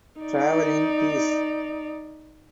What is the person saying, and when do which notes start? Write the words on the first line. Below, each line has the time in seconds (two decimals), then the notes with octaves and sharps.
Travel in peace.
0.20 D#4 D5